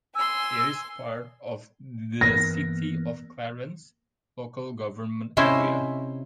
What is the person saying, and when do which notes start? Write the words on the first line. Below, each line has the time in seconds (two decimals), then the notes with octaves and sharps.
It is part of the City of Clarence local government area.
0.15 G#5 C6 E6
2.21 G2 E3 A#3 B3 A#6
5.37 C3 C#4 E4 C5 D#5 G#5